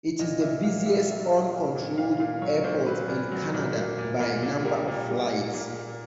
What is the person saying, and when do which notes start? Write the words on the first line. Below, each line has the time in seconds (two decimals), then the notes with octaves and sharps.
It is the busiest uncontrolled airport in Canada by number of flights.
0.19 A#2 D#5
0.41 A#2 E5
0.63 A#2 F5
0.85 A#2 E5
1.08 F#3 E5
1.31 A#2
1.52 A#2
1.75 A#2
1.97 A#2 F5
2.20 A#2 F5
2.42 F#3 C#5
2.64 A#2 C5
2.86 F#3 B4
3.08 A#2
3.31 F#3
3.54 A#2
3.76 A#3
3.98 A#2
4.20 A#2
4.43 A#2
4.64 G3 A#4
4.87 A#2
5.09 G3
5.31 G3
5.54 A#2
5.76 A#3